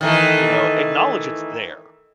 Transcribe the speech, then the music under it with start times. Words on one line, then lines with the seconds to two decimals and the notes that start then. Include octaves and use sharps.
You know, acknowledge it's there.
0.01 D#3 E3 A3